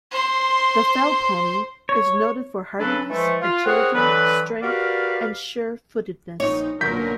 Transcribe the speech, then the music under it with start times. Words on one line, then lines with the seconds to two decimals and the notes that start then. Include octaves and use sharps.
The Fell pony is noted for hardiness, agility, strength and sure-footedness.
0.11 C5 C6
1.89 C#5
2.80 C#3 F#3 D4 A4 B4
3.10 E3 F3 G#3 A3
3.41 F4
3.65 C4 G#4 A#4 C#5 F#5
3.94 D3 E3 F#3 A3 B4
4.63 F#4 G4 A#4 B4 D5 F5
6.40 A#1 D#4 C#5
6.81 B1 A#2 D3 F#3 A#4 G6 B6